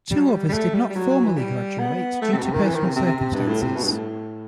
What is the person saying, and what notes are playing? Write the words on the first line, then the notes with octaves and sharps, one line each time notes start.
Two others did not formally graduate due to personal circumstances.
G3
F#3
G3
G3
A3
G3
G3
F#3
F#3
E3
G3
B3
A3
C3
B2
C3
D#3
E3
D#3
C3
C3
C3
C3
G2
A2
C3
B2
G2
A2